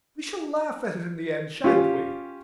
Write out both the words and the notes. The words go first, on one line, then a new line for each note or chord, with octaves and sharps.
We shall laugh at it in the end, shan't we?
C#4 F4 G4